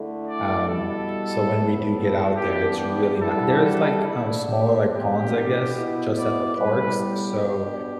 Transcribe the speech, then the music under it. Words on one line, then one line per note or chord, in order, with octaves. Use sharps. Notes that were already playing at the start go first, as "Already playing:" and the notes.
um so when we do get out there, it's really not there's, like, uh, smaller, like, ponds, I guess? Just at the parks, so,
Already playing: D3 A3 E4
D5
B2 G3 E4 A4
A2 G3 B3
A4
G2 E3 B3 D4 G4
G4
D3 G3 E4 A4
A4
D3 A3 D4 E4
G4
A2 E3 B3 D4 G4
B2 B3 E4
D5
A2 G3 B3 B4
G4
B2 B3 D4